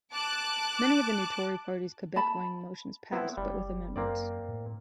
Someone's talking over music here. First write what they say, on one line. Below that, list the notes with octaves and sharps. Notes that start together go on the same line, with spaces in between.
Many of the new Tory party's Quebec-wing motions passed, but with amendments.
A5 D6 F#6
A5 B5
B3 C4 E4
F#1 G3
F#2 A#3 C4 D5
A2